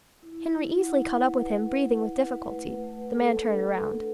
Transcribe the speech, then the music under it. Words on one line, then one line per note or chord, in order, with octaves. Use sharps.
Henry easily caught up with him, breathing with difficulty. The man turned around.
E4
E4
F#5
B4
E4
E4
F#5
B4
A3
A3
A4
D4
A3